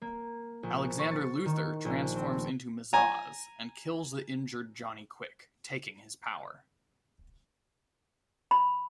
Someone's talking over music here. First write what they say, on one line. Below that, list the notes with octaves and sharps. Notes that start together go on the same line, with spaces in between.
Alexander Luthor transforms into Mazahs and kills the injured Johnny Quick, taking his power.
A#3
A#1
C#6
A6
D#3
A#1
C4
G#5 A#5
B5